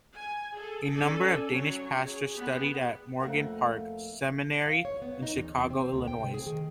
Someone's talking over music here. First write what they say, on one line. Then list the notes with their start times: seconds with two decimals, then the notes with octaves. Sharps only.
A number of Danish pastors studied at Morgan Park Seminary in Chicago, Illinois.
0.15 G#5
0.55 G#4 A4
0.92 C#4 A4 D5 G#5
1.49 F#3 C#5
2.04 G#4
2.34 B3 G4
3.20 F2 A3 A#3 F5 F#5
4.66 F5
4.85 C#5
5.02 B3
5.23 D#4
5.36 E2
5.57 C3
5.71 C4
5.93 D2
6.08 G5
6.20 C3
6.34 G#4
6.46 D#3